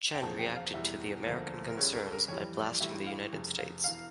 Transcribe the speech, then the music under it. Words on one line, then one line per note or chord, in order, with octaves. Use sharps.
Chen reacted to the American concerns by blasting the United States.
G5
E1 E2 C#3 F3 A5
G5
F5
E1 E2 E3 G3 E5
E1 D2 D3 F3 A#3
A#4
C#2 C#3 G3 C#4 C#5
A#4
A4
A#4
F2 E3 G3 C#5
D5
A1 A2 E3 G3 E5
F5
F1 F2 C#3
F5
E1 E3 F5